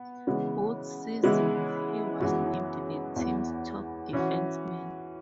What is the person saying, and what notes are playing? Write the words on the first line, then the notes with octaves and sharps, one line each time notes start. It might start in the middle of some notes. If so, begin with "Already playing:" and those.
Both seasons he was named the team's top defenceman.
Already playing: B3
C#3 E3 G#3 B3
C#3 E3 G#3 B3 E4
F#2 E3 G#3 B3 F#4
E2 E3 B3
E3 C#4 F#4